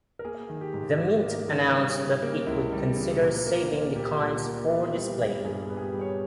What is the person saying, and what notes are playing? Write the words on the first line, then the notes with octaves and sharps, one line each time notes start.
The Mint announced that it would consider saving the coins for display.
A#4
A#3 G#4
D#3
G4
G#2
G#2
A#3
D#3
G3
C#3
A#3
C#2 E4
G3
C#3
A#2
A#3
A#3
A#2 G4
A#2
A#3
B3
G3
G2
G2 G#4
G#4
B3
G#4
G4
G3
C#5